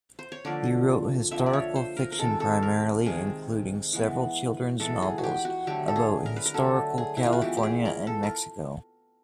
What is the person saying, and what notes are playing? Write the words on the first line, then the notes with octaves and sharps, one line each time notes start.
He wrote historical fiction, primarily, including several children's novels about historical California and Mexico.
C5
C#5
D3 F3 A#3 D5
D3 F3 A#3 E5
D5
C#5
C5
A#4
A#4
C3 D#3 G#3 A4
A4
A#4
C3 D#3 G#3 G#4
E3 G#3 B3
E3 G#3 B3 A4
G#4
F#4
G4
F#4
D3 F#3 A3 G4
A4
G#4
A#4
B4
A#4
D3 F#3 A3 A4
G#4
E4
F4
F#4
E3 G#3 B3 G4
G4
G#4
A#4
A4
A#4